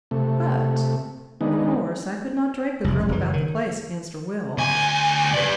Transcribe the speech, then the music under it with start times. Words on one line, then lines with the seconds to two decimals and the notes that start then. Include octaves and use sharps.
But, of course, I could not drag the girl about the place against her will.
0.11 C3 A3
1.41 D#3 G#3 B3 D4 D#4
2.84 F1 C2
3.09 F#1 E3
3.33 D#3
4.58 D2 G#5
5.34 B4 D5